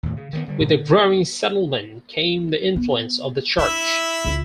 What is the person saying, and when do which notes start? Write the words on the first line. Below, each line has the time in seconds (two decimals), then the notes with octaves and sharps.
With the growing settlement came the influence of the Church.
0.03 D#2 A2
0.17 C#3
0.33 D#3 F#3 B3
0.48 D3 G3
0.60 G2 A#2
0.73 D3
2.76 B3
3.59 D4 E4 E5
4.25 C#2 F4